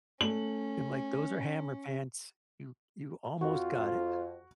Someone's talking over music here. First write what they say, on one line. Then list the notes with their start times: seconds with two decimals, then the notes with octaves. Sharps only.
and, like, those are Hammer pants. You you almost got it.
0.21 A3 C#4 F#7
3.41 F2 F4 F#4